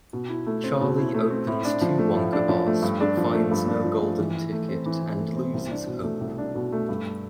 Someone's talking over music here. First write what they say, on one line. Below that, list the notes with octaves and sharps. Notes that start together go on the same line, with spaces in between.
Charlie opens two Wonka Bars but finds no Golden Ticket and loses hope.
B2
E4
A3
C4
B2
E4
A3
C4
A2
D4
F3
A3
A2
D4
F3
A3
G2
D4
F3
A3
G2
D4
F3
A3
E3
E4
A3
C4
E3
E4
A3
C4
C2
D4
B2
A3
C2
D4
B2
A3
G2